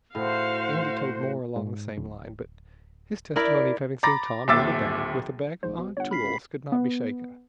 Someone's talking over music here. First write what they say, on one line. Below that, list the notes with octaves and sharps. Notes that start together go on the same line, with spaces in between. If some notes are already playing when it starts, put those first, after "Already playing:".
Andy told more along the same line, but his testimony of having seen Tom near the bank, with a bag of odd tools could not be shaken.
A2 F#4 C5 F5
G#2
D1
E4 A#4 D5
A#5 B5 D6 A6 A#6
D1 D#2 E5 D6 E6 A6
A#1 G#2 C5
B2
G1 C#5 F#5
B5 F6 B6 C7
C#2
B3